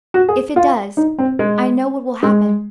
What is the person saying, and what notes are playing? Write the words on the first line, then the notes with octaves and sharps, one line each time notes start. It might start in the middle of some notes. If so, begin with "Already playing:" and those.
If it does, I know what will happen.
F#4
G#4
F4
D#4
C4
G#3
G#3